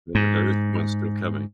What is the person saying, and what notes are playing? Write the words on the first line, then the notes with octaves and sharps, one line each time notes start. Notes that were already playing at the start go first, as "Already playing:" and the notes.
Though there is one still coming.
G#2